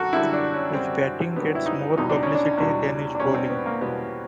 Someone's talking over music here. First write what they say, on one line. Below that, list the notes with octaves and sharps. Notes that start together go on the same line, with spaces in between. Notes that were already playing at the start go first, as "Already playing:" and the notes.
His batting gets more publicity than his bowling.
Already playing: F#2 D3 F#4 A4 A#4
F#2 D3 G3 E4
D4
C#4
F#2 D3 G3 C4
F#2 D3 G3 B3
E4
D#4
E2 B2 G3 D#4
D4
C#4
D4
E2 B2 G3
D4
E2 B2 G3 C#4
C4
B3
A#3
E2 B2 G3 B3